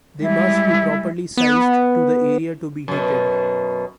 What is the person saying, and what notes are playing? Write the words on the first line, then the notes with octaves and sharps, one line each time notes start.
They must be properly sized to the area to be heated.
G3 G#3 E4
B3
F#2 B2